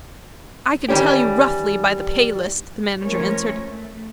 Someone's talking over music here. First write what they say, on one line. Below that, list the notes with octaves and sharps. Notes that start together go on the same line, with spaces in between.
"I could tell you roughly by the pay-list," the manager answered.
D#3 E3 G3 C#4 G4
F3 A3 C#4 A#4 C#5
A3